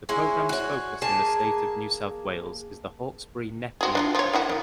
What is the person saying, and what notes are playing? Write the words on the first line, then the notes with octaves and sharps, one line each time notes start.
The program's focus in the state of New South Wales is the Hawkesbury-Nepean catchment.
G#3 E4 C#5
F#4 C#5
A#3 G#4 A5
C4 F#4 G#4
D4 D#4 F4
F3 C#5
A#3 E4 F#4
D#3